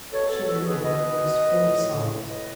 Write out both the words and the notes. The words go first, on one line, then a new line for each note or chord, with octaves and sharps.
She ended in a voice full of sobs.
B2 A4 C#5
B2 A4 C#5
B2 F#4 A4
B2 G#4 B4
B2 B4 D#5
B2
B2
B2
A2
A2
A2
A2
A2 B4 D#5